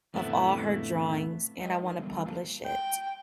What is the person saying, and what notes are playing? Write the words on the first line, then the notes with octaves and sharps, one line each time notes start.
of all her drawings, and I wanna publish it
F2 A2 D3 A3 B3 E4
G#3 B4 D#5 G5 A5
D#4 A#4 C#5
D3 E3 F#3 G3 A3 B3
A#3 F4 F5 A5 A#5
G5